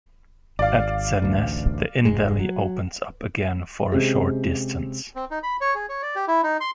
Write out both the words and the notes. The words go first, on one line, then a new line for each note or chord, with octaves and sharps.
At Zernez, the Inn valley opens up again for a short distance.
G#1 D5 F5
A1 D2
F1 G#2 G#3
F#3
C3 G#3 C4 C#4 G4 G#4
C4
D#4
B5
C#5
G#4
C#5
D5
G4
E4
D#4
C6